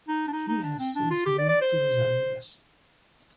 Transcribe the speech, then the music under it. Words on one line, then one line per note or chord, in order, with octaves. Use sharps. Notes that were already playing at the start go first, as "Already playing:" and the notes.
He has since moved to Los Angeles.
D#4
D4
D#4
D#4
D4
C4
D4
F4
G4
D5
D5
C5